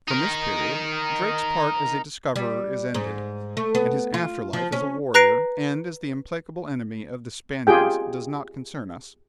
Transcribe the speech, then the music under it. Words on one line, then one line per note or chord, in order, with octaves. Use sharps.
From this period Drake's part as a discoverer is ended, and his after-life as a warrior and as the implacable enemy of the Spaniards does not concern us.
D#4 A#4
G3
G#2
A3
B3
F4
F3
C#4
B4 A#5 F#6 A#6 C7 D7
F4 G4 G#4 G5